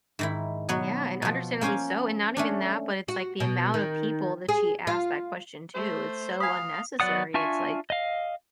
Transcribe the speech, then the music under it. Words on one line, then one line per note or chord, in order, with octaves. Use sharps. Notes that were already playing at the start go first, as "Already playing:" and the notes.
Yeah, and understandably so, and not even that, but it's like the amount of people that she asked that question to, it's so unnecessary, it's like,
G#2 D#3 E4
B2 F#3 B3 C#5
B2 F3
A#3 C#4 C5 F5 G#5
A3 C#4 D4
F#4
B2
D#3
G#4
F4
A3 C5
F5 G#5 B5 D#6
F#3 B3 D5 F#5 D#6
D4 F4 E5 G#5 C#6
D#5 F5